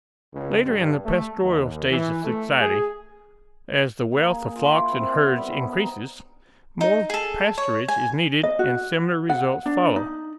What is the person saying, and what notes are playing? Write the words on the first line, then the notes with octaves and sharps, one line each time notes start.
Later in the pastoral stage of society, as the wealth of flocks and herds increases, more pasturage is needed and similar results follow.
C#2
G2
A3
D#2
E3
A3
G#4
A#3
G#4
F4
E4
C4
G4
B3
G3
G#4
D#4
D#4
G#4 A4
C#5
G#5
D#5
F#4
F#5
D4
D#4